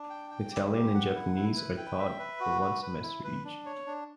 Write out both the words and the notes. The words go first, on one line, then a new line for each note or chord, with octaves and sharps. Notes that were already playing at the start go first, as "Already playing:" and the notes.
Italian and Japanese are taught for one semester each.
Already playing: D4
G5
G5
G4
G4
F#5
E4
E4
B4
G5
E5
B4
F#4
B4
B4
E4
B4
D4
C#5
D4